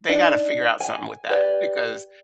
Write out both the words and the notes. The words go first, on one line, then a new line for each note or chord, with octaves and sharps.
they gotta figure out something with that because
D4 D#4
G#5
G4 B4 D5